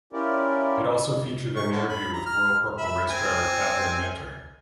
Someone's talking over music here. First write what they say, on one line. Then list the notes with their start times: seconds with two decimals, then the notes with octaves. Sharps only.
It also featured an interview with Royal Purple race driver Kathryn Minter.
0.13 C#4 E4 F4 G4 A#4 D5
1.56 C#6
1.72 D3
1.89 B5
2.14 A#5
2.26 F6
2.78 E5 B5
3.10 C4 G#5